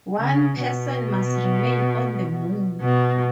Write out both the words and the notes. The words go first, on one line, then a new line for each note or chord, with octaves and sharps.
One person must remain on the moon.
C#3
B2
B2